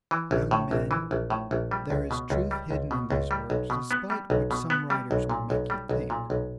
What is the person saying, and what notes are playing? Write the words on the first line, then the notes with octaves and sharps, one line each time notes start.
Young men, there is truth hidden in these words, despite what some writers would make you think.
E3
A#1
A2
A#1
E3
A#1
A2
A#1
G3
C#2
B2
C#2
G3
C#2
B2
C#2
G3
B1
B2
B3
G3
B1
B2
B3
G3
B1
A#2
B1
G3
B1
A#2
B1